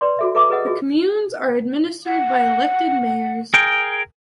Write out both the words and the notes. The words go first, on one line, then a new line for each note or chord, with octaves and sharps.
The communes are administered by elected Mayors.
B4 D5 C6
F#4 A4 E5
A4 B4 E5 A#5 D6 D#6
G#4 B4 D#5 F#5 D#6
F4 F#4 G#4
F#5
G#4 A#4 G5